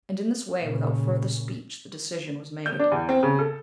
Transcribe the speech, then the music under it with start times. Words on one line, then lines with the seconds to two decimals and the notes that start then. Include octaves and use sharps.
And in this way, without further speech, the decision was made.
0.60 A#2 C#3
2.66 G6
2.79 D4
2.92 E2
3.09 C4
3.23 C#3
3.39 A4